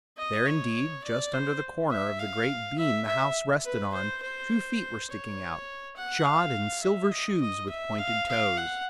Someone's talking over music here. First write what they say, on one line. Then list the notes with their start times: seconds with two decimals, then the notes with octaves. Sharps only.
There, indeed, just under the corner of the great beam the house rested on, two feet were sticking out, shod in silver shoes with pointed toes.
0.18 D#5
0.46 C#5
1.04 D5
1.33 C5
1.91 E5
2.20 F5
2.78 E5
3.07 E5
3.64 B4
3.94 C5
4.23 C5
5.10 C#5
5.97 F#5
6.25 F5
6.82 E5
7.11 D#5
7.41 D#5
7.69 E5
7.99 F5
8.28 F5
8.57 F#5